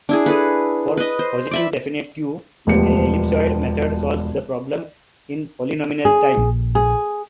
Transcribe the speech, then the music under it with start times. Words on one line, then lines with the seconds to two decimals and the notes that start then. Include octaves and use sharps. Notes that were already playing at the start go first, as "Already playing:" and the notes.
For positive definite "Q", the ellipsoid method solves the problem in polynomial time.
0.09 D4 E4 G#4
0.26 G#4 A4 B4
0.97 B4 D#5
1.19 C5
1.51 D5 E5 B5
2.67 E1 D2 F3 B3 G4 C#7
6.05 G#4
6.37 A#1
6.75 G#4